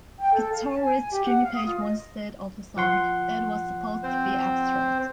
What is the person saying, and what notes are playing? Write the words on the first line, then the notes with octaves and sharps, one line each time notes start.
Guitarist Jimmy Page once said of the song: It was supposed to be abstract.
G5
A4
F5
A5
G#5
G#5
G4
F#5
F5
D#6
F4
D#5
F3 F#5 C6
C4 C5